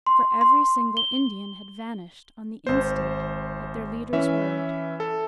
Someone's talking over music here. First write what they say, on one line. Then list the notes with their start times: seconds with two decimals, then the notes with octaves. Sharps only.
For every single Indian had vanished on the instant at their leader's word.
0.07 C6
0.41 C6
0.97 G7
2.67 G#1 C5
4.13 E3 C#4 E5
5.00 A4